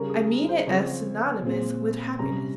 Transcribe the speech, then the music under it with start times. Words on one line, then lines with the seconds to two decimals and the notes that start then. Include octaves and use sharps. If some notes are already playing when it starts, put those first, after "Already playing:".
I mean it as synonymous with happiness.
Already playing: C#3 G3 C#4 A#4
0.10 G#4
0.49 C5
0.67 C#3 F3 C4 C#5
1.43 A#2 G#3 C4
2.19 C3 G3 C#4 A#5